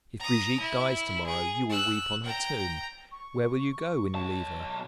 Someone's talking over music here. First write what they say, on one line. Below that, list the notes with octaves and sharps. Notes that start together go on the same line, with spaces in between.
If Brigitte dies to-morrow you will weep on her tomb; where will you go when you leave her?
A#5 D#6
E4
G#4
E6 F#6
G5 A#5
C#6
B1 A5